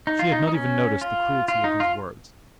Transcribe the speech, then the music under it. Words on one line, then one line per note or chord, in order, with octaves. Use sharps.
She had not even noticed the cruelty of his words.
D#4
F4
D#4
D#4
C#4
F4
F4
D#4
F4